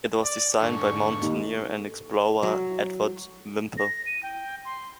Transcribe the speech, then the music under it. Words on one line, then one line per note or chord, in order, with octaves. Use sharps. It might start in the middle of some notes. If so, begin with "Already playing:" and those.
It was designed by mountaineer and explorer Edward Whymper.
D5
G#2 D4 A4 C#6
D#2
F#3
A#6
D#7
G5
C6